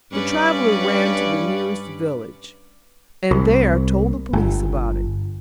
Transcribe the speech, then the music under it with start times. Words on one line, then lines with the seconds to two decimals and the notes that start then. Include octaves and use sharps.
The traveler ran to the nearest village, and there told the police about it.
0.12 G2 C#4 B4 D5
3.31 C2
4.33 G1